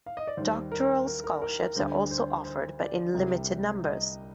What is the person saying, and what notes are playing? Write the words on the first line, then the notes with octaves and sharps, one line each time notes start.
Doctoral scholarships are also offered but in limited numbers.
F5
D#5
D5
D#2 D#3 G3 C5
A#4
A#4
A#4
A#4
A#4
D2 D3 G3 C5
C5
C5
D5
C2 C3 G3
D#5